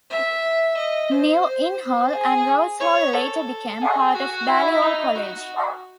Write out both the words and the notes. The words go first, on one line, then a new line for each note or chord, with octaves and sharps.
New Inn Hall and Rose Hall later became part of Balliol College.
E5
D#5
C5
C5
G#4
C#5
A4
G#4
F#4
E4
D#4
F#4